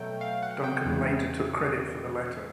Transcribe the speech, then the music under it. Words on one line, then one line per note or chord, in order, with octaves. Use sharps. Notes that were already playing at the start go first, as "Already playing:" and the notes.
Duncan later took credit for the letter.
Already playing: B2 F#3 A3 G5
F5
F#5
G5
E2 C#3 E3 G#3